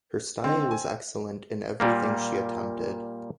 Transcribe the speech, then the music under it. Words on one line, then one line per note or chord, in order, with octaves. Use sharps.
Her style was excellent in everything she attempted.
D3 C4 D#4
G#5
A#2 G3 A#3